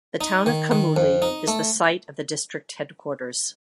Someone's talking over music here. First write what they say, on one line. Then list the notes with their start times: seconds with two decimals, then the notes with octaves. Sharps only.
The town of Kamuli is the site of the district headquarters.
0.21 D#4
0.46 D#3
0.71 D#3
0.97 F2
1.22 D#4
1.48 A3